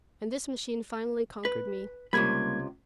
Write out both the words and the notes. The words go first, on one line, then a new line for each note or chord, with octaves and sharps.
And this machine finally conquered me.
B4
C#2 C3 G3 A#3 B5 G#6